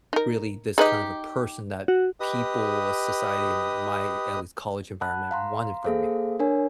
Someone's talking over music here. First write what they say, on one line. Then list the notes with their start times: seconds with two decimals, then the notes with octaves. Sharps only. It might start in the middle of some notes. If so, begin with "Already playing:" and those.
really this kind of a person that people of society in my at least college environment wanted from me.
0.13 D#4 A#4
0.78 D#4 G4 G#4 B4 D#5
1.88 F#4
2.20 G4 B4 D#5 D#6
5.01 F#5 A5 B5 F#6
5.31 F5 A#5 C6
5.85 A#3 G#4 A4 C5 F5
6.39 D4 A#4 C#5 G#5